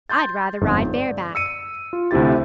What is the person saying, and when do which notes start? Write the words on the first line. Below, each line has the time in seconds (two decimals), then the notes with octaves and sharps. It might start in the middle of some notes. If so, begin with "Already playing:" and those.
I'd rather ride bareback.
0.09 C6 G6 A6
0.61 G1 F2 G#2
0.94 D5
1.35 E6 C#7 D#7
1.93 F4
2.11 D2 C3 C4 E4 G4 A6